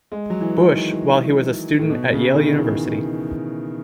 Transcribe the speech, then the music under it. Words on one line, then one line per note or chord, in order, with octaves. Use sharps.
Bush while he was a student at Yale University.
G#3
F#3
E3
D#3
A2
B2
C#3
D#3
E3